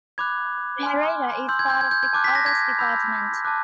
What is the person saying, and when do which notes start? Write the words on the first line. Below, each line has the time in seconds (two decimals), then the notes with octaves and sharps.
Pereira is part of the Caldas department.
0.18 B5 D6 F#6 G#6
0.83 G#5 C6 F6
1.49 C6 E6 G6
1.59 G#6
1.70 G6
1.81 G#6
1.91 G6
2.03 G#6
2.13 A5 D6 F#6
2.24 B6
2.35 A#6
2.46 G#6
2.79 B5 E6 G6
3.44 A5 D6 F#6